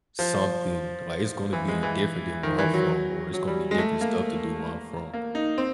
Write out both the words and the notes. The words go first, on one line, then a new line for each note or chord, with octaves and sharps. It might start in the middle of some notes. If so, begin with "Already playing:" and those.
something like, it's gonna be different than where I'm from or it's gonna be different stuff to do where I'm from.
F3
E3
G#3
E3
D#3
E3
F#3
F#3
G3
G#3
A3
A#3
A#3
D#4
C4